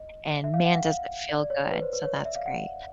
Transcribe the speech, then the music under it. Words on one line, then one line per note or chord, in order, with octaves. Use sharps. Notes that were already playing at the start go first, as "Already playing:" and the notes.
and man, does it feel good, so that's great.
Already playing: D#5
E5
F5
F#5
F5
F5
D5
D5
C#5
B4
C5
B4
C#5
D5
E5
F5
F#5